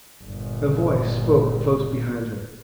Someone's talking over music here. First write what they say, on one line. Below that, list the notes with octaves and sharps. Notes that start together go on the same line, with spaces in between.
A voice spoke close behind her.
G1 A#2